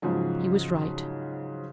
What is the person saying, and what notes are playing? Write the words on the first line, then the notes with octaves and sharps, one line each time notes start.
He was right.
G#2 C#3 F3 F#3